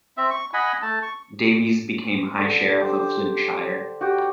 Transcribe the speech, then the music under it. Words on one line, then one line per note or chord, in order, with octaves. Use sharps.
Davies became High Sheriff of Flintshire.
C4 E5
C#6
D#5 F#5 G#5 B5
A3 A5
C#6
D3
G4 C5
F#4 G4 G5